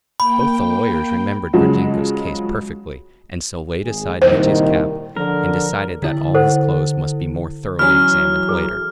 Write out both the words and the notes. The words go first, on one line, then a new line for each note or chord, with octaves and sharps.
Both the lawyers remembered Gridyenko's case perfectly, and so laid aside Mitya's cap, and decided that all his clothes must be more thoroughly examined later.
A#3 G5 B5
C#3 F3 F#3 G#3
G#1 G#4
C2 A#2 D#3 C5
D3 F3 A#4
D3 E4
A4 C5 F#5
E3 F#3 C#4 G#5 B5 F6
G#4 A4 A#5